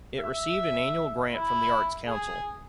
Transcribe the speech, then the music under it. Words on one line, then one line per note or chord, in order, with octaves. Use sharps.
It received an annual grant from the Arts Council.
E5
E4
G#4